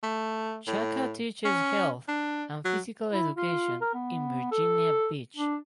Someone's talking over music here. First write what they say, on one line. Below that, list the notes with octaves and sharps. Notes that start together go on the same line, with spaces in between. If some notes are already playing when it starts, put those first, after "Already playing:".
Chaka teaches health and physical education in Virginia Beach.
A3
A2
C#4
D4
F#3
E4
F4
A#4
B3
A4
D4